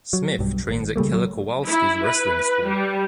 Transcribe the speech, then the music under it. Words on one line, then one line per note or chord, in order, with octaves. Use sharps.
Smith trains at Killer Kowalski’s wrestling school.
F#3
B1 G2
G#1
C#3 G3 A3 A#3
F#3
E4
B4
G3